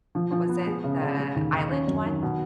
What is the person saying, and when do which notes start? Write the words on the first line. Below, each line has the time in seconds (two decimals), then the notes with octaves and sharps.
what was it, the island one?
0.15 F3
0.32 F3
0.49 B3
0.67 G#3
0.84 C#3
1.01 C#3
1.18 G#3
1.36 D#2
1.53 D#2
1.71 C#4
1.88 F#2
2.05 D#3
2.22 B2